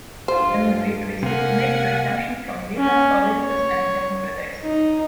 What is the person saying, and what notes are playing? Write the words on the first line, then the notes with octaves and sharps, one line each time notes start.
The movie received mixed reception from different audiences and film critics.
G2 F4 C5
C3 A#3 F5 F#5 G#5
C#4 C#5
C#5
D#4